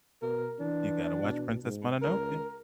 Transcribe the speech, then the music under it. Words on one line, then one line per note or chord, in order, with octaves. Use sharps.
You gotta watch Princess Mononoke.
B2 A#4
E3 D4
B2
G#2
C#2 A#4